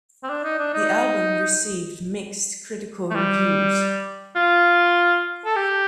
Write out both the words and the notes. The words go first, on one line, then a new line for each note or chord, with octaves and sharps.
The album received mixed critical reviews.
C4
D4
D#4
D4
D#4
A3
G3
F4
A4
G4